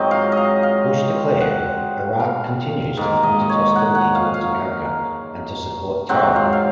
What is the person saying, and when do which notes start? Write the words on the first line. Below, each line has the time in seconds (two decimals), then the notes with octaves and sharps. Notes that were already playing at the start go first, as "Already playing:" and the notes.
Bush declared, Iraq continues to flaunt its hostility toward America and to support terror.
Already playing: G#2 F#3 C4 D#5
0.11 F5
0.32 D#5
0.37 F5
0.63 F5
1.41 F#5
2.20 F5
2.97 G#2 D#3 A#3
3.23 D#5
3.41 D#5
3.49 C#5
3.75 F#5
3.95 F#5
4.15 F5
4.34 F5
6.09 G#2 F#3 C4 F#5
6.36 F5
6.53 F5